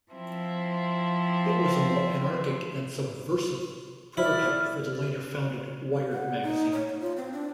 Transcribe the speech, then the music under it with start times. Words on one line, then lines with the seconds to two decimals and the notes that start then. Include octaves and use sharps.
It was a more anarchic and subversive prototype for the later-founded "Wired" magazine.
0.11 F3 C4 E4
4.17 E4 D5 F6
6.13 F#5
6.43 D#4
6.72 C#5
7.01 F4
7.17 C4
7.32 D4